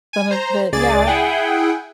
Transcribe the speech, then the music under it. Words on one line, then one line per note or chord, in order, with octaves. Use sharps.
Some of it yeah,
G#5
C5 A#5
C#2 G#4 D5 A6
E4 G#4 F#5 G5